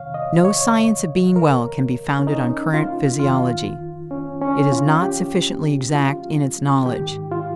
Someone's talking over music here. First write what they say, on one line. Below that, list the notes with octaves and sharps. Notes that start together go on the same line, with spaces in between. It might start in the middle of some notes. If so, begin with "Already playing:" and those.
No Science of Being Well can be founded on current physiology; it is not sufficiently exact in its knowledge.
Already playing: F2 C3 D#3 C#5 F5
D#5
C#5
A#4
C#4
D#4
F4
F2 D#3 F4
C#4
C#4
F4
G4
F4
G#2 D#3 G4
F4